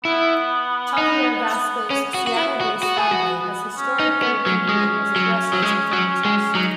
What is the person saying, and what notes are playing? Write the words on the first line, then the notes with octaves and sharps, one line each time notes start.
Javier Vasco's Seattle-based family has historically been viewed as aggressors within the Trust.
B3 E4
D#4
B3 C#4
F#4
F#4
E4
F#4
F#4
G#4
F#4
C#4
D#4
B3
F#3
G#3
F#3
F#3
G#3
F#3
G#3
F#3 D#4